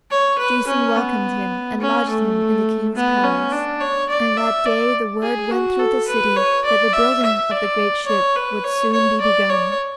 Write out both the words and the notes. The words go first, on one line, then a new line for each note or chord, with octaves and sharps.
Jason welcomed him and lodged him in the king's palace, and that day the word went through the city that the building of the great ship would soon be begun.
C#5
B4
C#4
B3
C#4
A3
B3
C#4
D4
C#5
D5
E5
D5
G#4
F#4
A4
B4
C#5
D5
E5
E5
D5
C#5
B4
C#5
C#5
D5
C#5